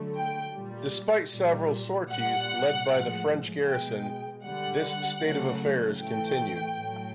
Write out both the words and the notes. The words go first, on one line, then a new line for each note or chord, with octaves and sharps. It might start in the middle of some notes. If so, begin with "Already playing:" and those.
Despite several sorties led by the French garrison, this state of affairs continued.
Already playing: D3 F#3 A3
G5
A#2 G3
A#2 G3
A#2 G3 F#5
A2 F3 G#3
B2 G#3 G5
D3 G3 F#5
C#3 F#3 A3
A2 E3 A3 G5
A2 F#3 A3